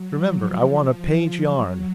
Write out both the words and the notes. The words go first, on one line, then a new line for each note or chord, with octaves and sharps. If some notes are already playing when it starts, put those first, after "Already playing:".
Remember, I want a page yarn.
Already playing: F#3
F3
F3
F#3